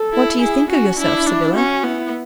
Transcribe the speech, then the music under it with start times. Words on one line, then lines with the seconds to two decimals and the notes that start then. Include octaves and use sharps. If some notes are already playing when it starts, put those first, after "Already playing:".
"What do you think of yourself, Sybylla?"
Already playing: A4
0.13 E4
0.41 E4 G#4
0.70 C#4 F#4
0.98 D4 E4
1.26 D4 E4
1.55 C#4 F#4
1.83 B3 E4